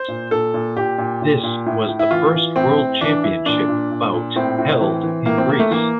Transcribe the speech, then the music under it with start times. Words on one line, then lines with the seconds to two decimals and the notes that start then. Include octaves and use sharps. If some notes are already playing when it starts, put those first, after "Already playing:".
This was the first world championship bout held in Greece.
Already playing: C5
0.08 A#2
0.31 A#2 A4
0.54 A#2
0.77 A#2 G4
0.98 A#2
1.22 A#2
1.43 A#2
1.66 A2
1.88 A2
1.99 E4
2.11 E3 F4
2.34 E3
2.56 A2 C4
2.78 A2
3.01 E3 D4
3.24 E3 E4
3.46 A#2 D4
3.69 A#2
3.91 A#2
4.13 A#2
4.36 A2 C4
4.58 A2
4.81 E3
5.03 E3
5.26 A2 A#3
5.38 C4
5.49 A2 A#3
5.60 A3
5.71 E3 A#3